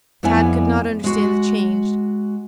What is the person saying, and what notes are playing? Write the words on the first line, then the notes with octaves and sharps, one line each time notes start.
Tad could not understand the change.
F2 B3 E4 D5 G#5
G#3 F#4